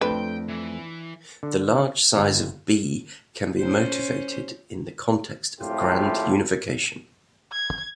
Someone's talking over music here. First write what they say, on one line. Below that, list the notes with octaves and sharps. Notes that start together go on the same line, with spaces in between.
The large size of "B" can be motivated in the context of grand unification.
F2 A3 D4 B4 G5
E3
D3
G1
C#4 C5
G#1 F2 A2 C3 F4 G4
G#6